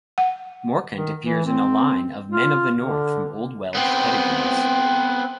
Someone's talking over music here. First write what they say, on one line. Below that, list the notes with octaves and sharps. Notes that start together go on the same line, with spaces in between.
Morcant appears in a line of "Men of the North" from Old Welsh pedigrees.
F#5
D#3
E3
C4
F4
D3
B3 C4